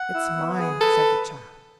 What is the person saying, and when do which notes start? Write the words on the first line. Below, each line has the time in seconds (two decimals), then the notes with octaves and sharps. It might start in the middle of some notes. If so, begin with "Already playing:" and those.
"It's mine," said the child.
Already playing: F#5
0.14 E4
0.36 B3
0.59 G#4
0.81 A4 B4